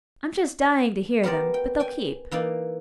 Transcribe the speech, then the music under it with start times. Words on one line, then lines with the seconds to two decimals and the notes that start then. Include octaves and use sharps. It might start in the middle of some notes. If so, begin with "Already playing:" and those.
I'm just dying to hear them, but they'll keep.
1.23 B3 G4 A#4 C5 D5
1.54 G5
1.80 G5 G#5
2.31 E3 A#3 D#4 D5